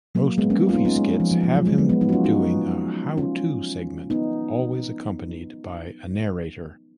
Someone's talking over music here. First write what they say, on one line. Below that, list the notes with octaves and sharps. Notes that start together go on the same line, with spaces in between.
Most Goofy skits have him doing a "how-to" segment, always accompanied by a narrator.
F#3 A#3
G#3 B3
A#3 C#4
F4
B3 D#4
C#4 F4
G#3
F3
F3
F3
F#3
G#3
G#3 B3
G#3 B3
B3 D#4
F#4
C#4 F4
D#4 F#4
C#4 F4
B3 D#4